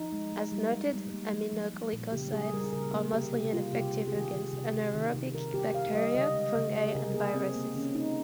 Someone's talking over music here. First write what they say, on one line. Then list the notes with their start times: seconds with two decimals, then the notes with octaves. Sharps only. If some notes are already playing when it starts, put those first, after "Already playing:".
As noted, aminoglycosides are mostly ineffective against anaerobic bacteria, fungi, and viruses.
Already playing: F3 D#4
0.12 G#3
0.32 G#3
0.52 G3
0.73 G3
0.93 G3
1.12 A#3
1.33 F3
1.53 F3
1.73 F3
1.93 A#2
2.12 C#3 G4
2.32 G3 G#4
2.53 G3 A#4
2.64 G#4
2.73 C#3 A#4
2.93 A#3 G#4
3.13 C3 G4
3.33 C3 G4
3.53 G3 F4
3.73 C3 G4
3.94 C3
4.08 G#4
4.14 D#3 G4
4.33 D#3
4.53 C3
4.74 C3
4.94 D#3
5.14 C3
5.34 D#3 A#4
5.53 D#3 G4
5.74 D#3 F5
5.94 G3 D#5
6.15 C#3 D#5
6.34 G#3
6.55 C#3
6.74 C#3 G4
6.86 G#4
6.95 C3 A#4
7.10 A#4
7.14 A#3 G#4
7.35 C3 C4
7.55 A#3
7.75 D#3 C#4
7.95 A#3 D#4